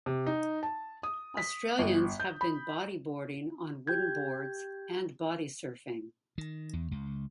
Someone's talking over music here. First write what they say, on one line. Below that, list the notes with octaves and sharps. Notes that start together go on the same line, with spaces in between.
Australians had been bodyboarding on wooden boards, and bodysurfing.
C3
D#4
A5
D#6
B6
G1
G6
B5
G4 G5 G6 G#6
D#3
E2
C#2